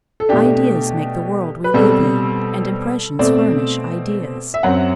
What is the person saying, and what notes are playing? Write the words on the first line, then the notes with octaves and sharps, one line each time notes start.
Ideas make the world we live in, and impressions furnish ideas.
A4
B2 A3 D4 G4
B4
B2 G3 C4 A4
B2 A3 C4 D5
E5
F#2 F#3 C4 F#5